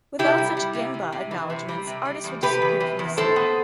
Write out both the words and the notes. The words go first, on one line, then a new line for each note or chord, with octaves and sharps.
Without such "genba" acknowledgments, artists would disappear from the scene.
C3 E4 G4
G3
G3
C3
C3
C3
E3
C3
G3
C3
G3
E2
C3 G4 B4
E2
C3
E2
A2 A4 C5
B3